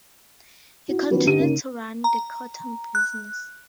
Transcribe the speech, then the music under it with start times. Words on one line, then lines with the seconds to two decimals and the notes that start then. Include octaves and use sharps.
He continued to run the cotton business.
0.88 E4 F#4
1.10 D#3 F3 F#3 B3 C#4 B4
1.25 D3 G4 D#7
1.39 C#3 A#3 C#4 D#4
2.04 A#5
2.95 F#6